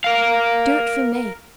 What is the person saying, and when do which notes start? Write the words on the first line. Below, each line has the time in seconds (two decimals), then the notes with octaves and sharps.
Do it for me....
0.04 A#4 F5